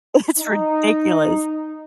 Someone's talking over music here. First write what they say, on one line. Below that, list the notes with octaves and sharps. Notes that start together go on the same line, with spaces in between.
It's ridiculous.
D#4